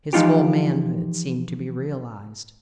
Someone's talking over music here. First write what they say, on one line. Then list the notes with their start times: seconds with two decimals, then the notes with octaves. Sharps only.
His full manhood seemed to be realized.
0.13 E3 F3 D#4 F4 G4